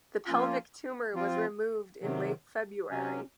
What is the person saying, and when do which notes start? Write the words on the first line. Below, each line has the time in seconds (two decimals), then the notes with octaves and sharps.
The pelvic tumor was removed in late February.
0.27 F3 A#3 C#4 F4
1.14 F3 C4 F4
2.02 C3 D#3 F#3
2.90 C3 F#3 C#4